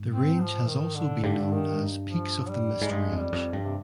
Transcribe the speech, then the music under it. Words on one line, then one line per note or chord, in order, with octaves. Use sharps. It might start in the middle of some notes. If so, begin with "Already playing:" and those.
The range has also been known as Peaks of the Mist Range.
Already playing: G#2
C4
F3
D#3
D3
G2 D3
D#3
F3
G3
G#2
G2 G#3
F2
G3
F2
G2
C3